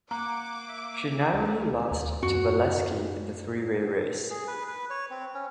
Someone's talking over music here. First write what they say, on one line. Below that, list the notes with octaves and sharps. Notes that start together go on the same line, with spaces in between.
She narrowly lost to Valesky in the three-way race.
A#3 F#5 A#5 D6
E5
D2
D#2
F#2 F#4
G#4
B4
B4
C#5
C4
C#4